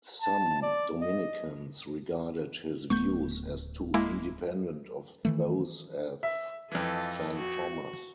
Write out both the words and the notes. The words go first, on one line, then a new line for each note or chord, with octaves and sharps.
Some Dominicans regarded his views as too independent of those of Saint Thomas.
A5
D5
D#5
D1 A3 B3 C#6 G6
G#3 A#3 E4
D#3 E3 A3
E5
F2 E3 F4 A4 D#5
F#4